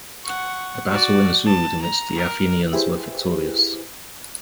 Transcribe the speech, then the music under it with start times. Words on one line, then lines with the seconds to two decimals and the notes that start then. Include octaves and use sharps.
A battle ensued in which the Athenians were victorious.
0.24 F#5 C#6
0.90 F#4 D5
1.46 A5
1.82 A#5
2.16 A#4
2.73 E4 G4 G#4 B4 C5